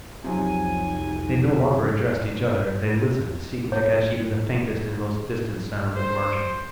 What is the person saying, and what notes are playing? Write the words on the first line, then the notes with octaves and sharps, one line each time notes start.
They no longer addressed each other, they listened, seeking to catch even the faintest and most distant sound of marching.
C2 F2 C3 F3 F#3 D#4 G#5
C#5
C5